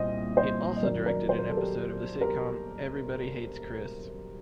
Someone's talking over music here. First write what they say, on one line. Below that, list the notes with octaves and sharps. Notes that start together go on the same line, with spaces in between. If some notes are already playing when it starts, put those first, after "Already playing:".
He also directed an episode of the sitcom "Everybody Hates Chris".
Already playing: C2 A#2 F#3 C5 D#5
C5 D#5
D#5
F#2 D#3 F#3 A#4 D5
A#4 D5
C5
A#4
A4
G4 A#4
G4 A#4